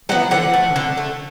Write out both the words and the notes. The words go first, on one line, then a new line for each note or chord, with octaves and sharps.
But, I beg your pardon.
F#3 B3 F#5
D3 F#5
A3
D3
A3